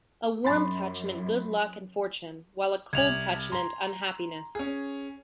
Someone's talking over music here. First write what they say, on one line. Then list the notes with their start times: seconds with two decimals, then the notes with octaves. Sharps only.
A warm touch meant good luck and fortune, while a cold touch meant unhappiness.
0.44 F#2 B5 C6 A6
2.93 C2 G#6 F7 F#7
3.52 A#5 C6
4.55 C#4 G#4